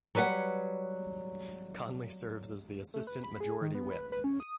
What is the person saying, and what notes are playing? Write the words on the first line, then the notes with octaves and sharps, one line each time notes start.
Conley serves as the Assistant Majority Whip.
F#3 G3 B4 D#5 F#5
A3
B4
B5
G#4
D#3
B3
B4
B4
C#4
D#6